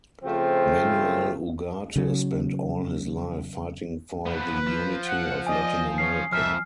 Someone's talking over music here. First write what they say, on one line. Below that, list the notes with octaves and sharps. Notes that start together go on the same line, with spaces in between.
Manuel Ugarte spent all his life fighting for the unity of Latin America.
C#3 F3 A3 C4 F4
C#3 F#3
F3 B3 B4
F3
F#5
D5 D#5 G#5 D#6
C#4 C7
F2 D#4 A4 E5 F6